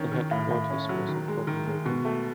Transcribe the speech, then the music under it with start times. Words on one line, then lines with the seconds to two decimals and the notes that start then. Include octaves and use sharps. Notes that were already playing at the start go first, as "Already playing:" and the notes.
The headquarters was in Copenhagen.
Already playing: D#3 C#4
0.12 D#3
0.31 A2
0.51 A2
0.70 C#4
0.89 F#3
1.08 D#3
1.28 G#3
1.47 D#3
1.66 G#3
1.86 B2
2.05 A3